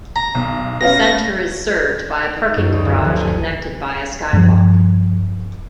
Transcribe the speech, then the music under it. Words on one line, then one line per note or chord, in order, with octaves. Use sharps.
The center is served by a parking garage connected by a skywalk.
A#5
B1
B3 C#4 F5 A#6
A#4
D#4
F#2
D2
G1
F3
G#5
G2 F3